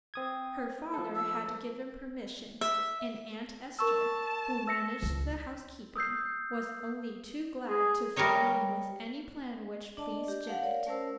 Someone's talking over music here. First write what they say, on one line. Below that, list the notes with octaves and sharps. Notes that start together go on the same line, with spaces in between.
Her father had given permission, and Aunt Esther, who managed the housekeeping, was only too glad to fall in with any plan which pleased Janet.
C4 D#6 G#6
F3 A4
E6
E5
A#4 A5 C#6 E6
E6 A#6 C#7
C#2
D#6 E6 G6 C7
G#4
G3 A#4 B4 C#5 D#5
D4 D5 D#5 A5
G4
A3 F5 F#5
A#4 C#5 D5 F5
A3 C#4 A#4 C5 A5 E6